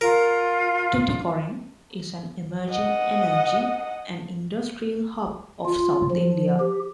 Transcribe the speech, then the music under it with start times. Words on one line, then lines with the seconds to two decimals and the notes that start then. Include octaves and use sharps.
Tuticorin is an "Emerging Energy and Industrial hub of South India".
0.01 F4 A#4
2.70 D#5 F#5
5.65 F4
6.10 F3
6.59 G4